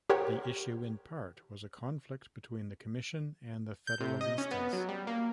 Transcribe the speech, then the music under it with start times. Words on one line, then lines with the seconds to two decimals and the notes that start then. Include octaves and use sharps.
The issue in part was a conflict between the Commission and the Federalistas.
0.10 G4 A#4 C5 C#5 F#5 G5
3.87 G6
4.00 C3
4.21 D#5
4.38 C#4
4.51 B3
4.73 F#3
4.89 G3
5.07 A#3